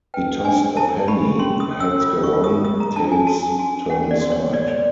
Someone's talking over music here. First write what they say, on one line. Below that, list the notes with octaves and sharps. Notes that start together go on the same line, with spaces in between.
He tossed a penny — heads go on, tails turn aside.
B4 G5
D4 G#5
E4 A5
G4 B5
C#4 C6
D#6
C#4
E6
F4 D#6
C#6
F4
D#6
F4 D#6
A#5
D4 A5
G#5
F#4 A5
F#4 G#5
C#4 F#5
D5
F#4
C#5
C#5 D5
D5